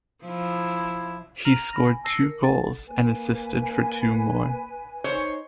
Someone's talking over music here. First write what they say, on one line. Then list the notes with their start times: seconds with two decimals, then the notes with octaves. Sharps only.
He scored two goals and assisted for two more.
0.24 F3 E4
1.45 A#5 F6 A#6 D#7 F7 F#7
1.73 B5 F6 A#6
1.86 G#5
2.04 A5 E6 A#6 C7 C#7
2.22 A#4
2.41 A4 F#5 A6
2.87 A#3 B4 G#5
5.04 D#4 C5 C#5